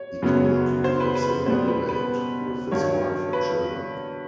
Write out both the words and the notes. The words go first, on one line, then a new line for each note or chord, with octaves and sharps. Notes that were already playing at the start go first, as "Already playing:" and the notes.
He currently lives in Adelaide with his wife and children.
Already playing: C#5
F#2 C#3 F#3 B3
C5
B4
B4
B2 G3 B3 C5
B4
B4
G2 D#3 F#3 C#5
B4